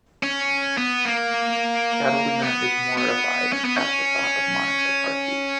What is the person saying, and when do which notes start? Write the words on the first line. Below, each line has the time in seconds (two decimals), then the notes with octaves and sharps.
Catalina is mortified at the thought of Monica's heartbreak.
0.23 C#4
0.78 B3
1.05 A#3
2.42 B3
2.97 B3
3.53 C#4
3.65 B3
3.77 C#4